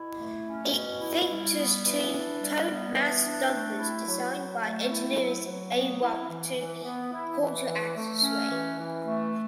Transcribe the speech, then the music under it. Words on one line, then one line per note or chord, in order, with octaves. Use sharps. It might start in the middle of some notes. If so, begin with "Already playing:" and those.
It features two tuned mass dampers, designed by engineers Arup, to counteract sway.
Already playing: B2 E4
A3
C#4
B2
E4
G3
B3
E3
D4
G3
B3
E3
D4
A3
E4
F#3
F#3
A3
E4
F#3
F#3
B3
E4
E3
E3
B3
E4
E3
E3
A3
C#4
E3
E3
A3